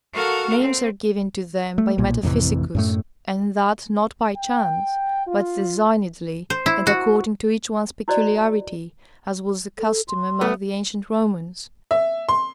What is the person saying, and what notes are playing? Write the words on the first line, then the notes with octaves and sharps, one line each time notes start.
Names are given to them by Metaphysicus, and that not by chance, but designedly, and according to each one's peculiarity, as was the custom among the ancient Romans.
F#4 A4 A#4 F5 F#5
C4
A3
B1 A#2
A1 F2 C3 E3
F#2 A2 A3
G5
F4
C5
E4
F#4
E4 F#4 C5 D5 D#5
A4
C6
A3 B3
E5
C6